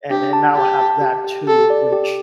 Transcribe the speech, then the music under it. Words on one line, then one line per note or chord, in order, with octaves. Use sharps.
and and now I have that too, which
D4 G4
A5
G4 A5
A5
G4
G4
G4 A4
D5
G4